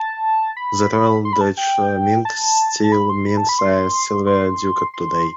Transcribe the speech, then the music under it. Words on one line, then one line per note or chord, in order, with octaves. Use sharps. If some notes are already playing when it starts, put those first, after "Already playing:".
The Royal Dutch Mint still mints a silver ducat today.
Already playing: A5
B5
C6
B5
A5
G5
A5
A5
B5
C6
B5
A5
B5
C6
C6
C6